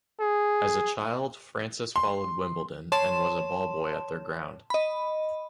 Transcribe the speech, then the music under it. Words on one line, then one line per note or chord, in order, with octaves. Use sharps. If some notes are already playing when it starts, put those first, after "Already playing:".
As a child Francis followed Wimbledon, and was a ball boy at their ground.
G#4
C6
C#5 A5 C6 E7
D#5 B5